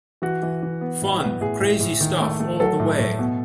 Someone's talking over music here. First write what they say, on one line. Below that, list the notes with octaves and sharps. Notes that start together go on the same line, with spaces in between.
Fun, crazy stuff all the way.
E3 F#4
E3
E3
B3
A2
B3
A2 G#4
A2
A2
D#3
A3
A3
F#3 A4
A2
A2
B2